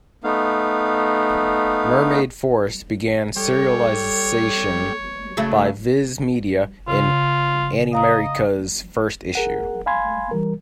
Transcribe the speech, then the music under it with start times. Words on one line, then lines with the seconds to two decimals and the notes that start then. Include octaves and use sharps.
Mermaid Forest began serialisation by Viz Media in Animerica's first issue.
0.24 A3 B3 D#4 F5
3.36 G3 A4 C#5
5.37 C#3 F#3 A3
6.88 C#3 F4
7.93 D#5 F5 A#5 D#6
9.35 G#4 A#4 F#5
9.86 F5 G#5 B5 C6 G#6
10.31 E3 G3 A#4